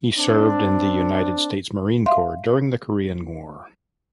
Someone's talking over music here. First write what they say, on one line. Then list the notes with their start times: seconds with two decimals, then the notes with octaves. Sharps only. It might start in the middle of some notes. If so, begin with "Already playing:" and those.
He served in the United States Marine Corps during the Korean War.
0.17 C4 D4
2.06 E5 F5 C6